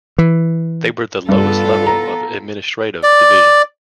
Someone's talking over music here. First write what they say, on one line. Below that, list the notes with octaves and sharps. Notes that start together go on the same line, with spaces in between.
They were the lowest level of administrative division.
E3
G2 B3 F4 A4
A#5
D5